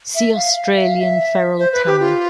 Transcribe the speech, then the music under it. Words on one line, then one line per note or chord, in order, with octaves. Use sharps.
See Australian feral camel.
E5
F5
F5
E5
F5
E5
C5
B4
G4
F4